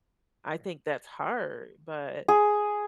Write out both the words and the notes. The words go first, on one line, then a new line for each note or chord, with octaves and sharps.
I think that's hard, but
G#4